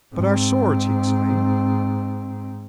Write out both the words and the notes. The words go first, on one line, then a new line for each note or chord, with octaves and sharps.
"But our swords!" he exclaimed.
G#2 C4